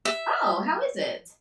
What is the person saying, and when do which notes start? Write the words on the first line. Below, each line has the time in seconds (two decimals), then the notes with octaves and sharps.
Oh, how is it?
0.05 E5